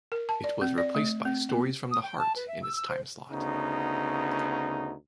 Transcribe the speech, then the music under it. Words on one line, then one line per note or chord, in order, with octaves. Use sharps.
It was replaced by "Stories from the Heart" in its timeslot.
A#4
A5
D5
C4
D5
A3
C4
B3
D#6
G5
A5
B4
E5
E6
E6
C5
D2 C#3 B3 D#4